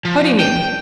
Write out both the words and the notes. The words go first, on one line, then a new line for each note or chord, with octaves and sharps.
How do you mean?
F3
G5